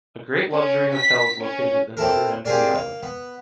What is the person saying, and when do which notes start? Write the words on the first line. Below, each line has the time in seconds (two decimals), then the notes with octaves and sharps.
A great luxury hotel is located at the northern end of the island.
0.53 C#4
0.96 B6
1.42 C#4
1.97 C4 E4 A4 A#4
2.45 A#3 C4 G4 G#4 A#4 D5
2.74 A#3
3.03 B3